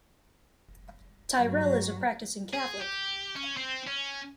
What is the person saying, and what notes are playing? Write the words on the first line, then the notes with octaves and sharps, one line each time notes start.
Tyrrell is a practicing Catholic.
G2 F#3
G#4
G4
C#4
C4
C#4